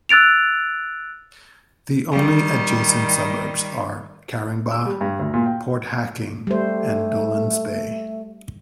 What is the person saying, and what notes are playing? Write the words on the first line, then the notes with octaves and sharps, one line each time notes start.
The only adjacent suburbs are Caringbah, Port Hacking and Dolans Bay.
E6 F#6 A6 D7 F7
D#3 G3
E6
G3
G2
D2
A#2
G5
G3 A3 C5